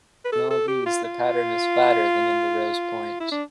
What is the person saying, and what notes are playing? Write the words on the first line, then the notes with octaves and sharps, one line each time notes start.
In all these the pattern is flatter than in the rose-point.
B4
A4
A4
G4
F4
F4
E4
D4